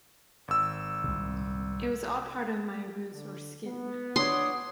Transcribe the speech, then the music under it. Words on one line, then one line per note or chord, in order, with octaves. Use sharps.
It was all part of my ruse or scheme.
G#1 E6
C2 A#2
D3
B3
D4 C#5 C6 D#6